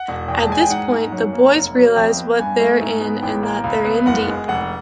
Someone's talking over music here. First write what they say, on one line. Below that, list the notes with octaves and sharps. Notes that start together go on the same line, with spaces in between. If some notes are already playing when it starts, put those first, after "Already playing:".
At this point, the boys realize what they're in and that they're in deep.
Already playing: F#5
E1
E2 G5
A5
G#3 G#5
G5
G#2 F#5
G#2
F#2
A#3
F1
F#3
F2 G5
B3
G2 G#5
A3
G#2
B3
A1 G5
A#3
C#2
B3
F#1 F#5
G#3
F1 F#5